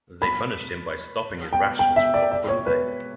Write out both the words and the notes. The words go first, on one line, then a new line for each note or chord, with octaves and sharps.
They punished him by stopping his rations for a full day.
B5
G5
G5
E5
D5
D5
C#5
B4